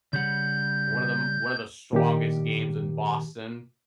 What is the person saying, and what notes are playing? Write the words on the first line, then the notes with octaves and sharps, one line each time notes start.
one of the m one of the strongest games in Boston,
C#3 G3 F#5 G6
A#2 D#3 G4